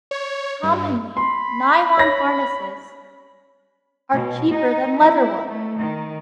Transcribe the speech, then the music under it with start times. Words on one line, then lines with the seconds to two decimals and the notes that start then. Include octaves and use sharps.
Commonly, nylon harnesses are cheaper than leather ones.
0.11 C#5
0.63 G2
1.17 B5 C6
1.97 C#5 A#6
4.12 B2
4.49 D#4
4.99 E4
5.47 A3
5.77 D#3